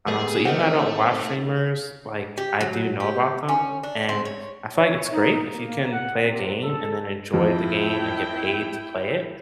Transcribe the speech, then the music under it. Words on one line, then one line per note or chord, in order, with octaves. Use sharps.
Um, so even though I don't watch streamers, like, I do know about them, and I feel like it's great if you can play a game and then enjoy the game and get paid to play it,
G3 A3 B3 G#4
D#3 A3 C4 F#5 G5
G4
F#3
G4
C#4
D4
C4
C#5
C#5
D#4
A#3
F#5
C3
A4
F2 E4 G5